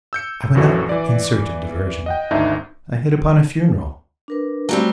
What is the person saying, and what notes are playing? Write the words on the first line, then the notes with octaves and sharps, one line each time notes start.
I went out in search of diversion, I hit upon a funeral.
E6 G6 C#7
A#1 F#2 E3 F#4 A4
E3 D5
D#5 F#5 G5
G#1 D2 D4 D#4 E5
D4 A#4 B4
F#3 G3 A3 C4 G4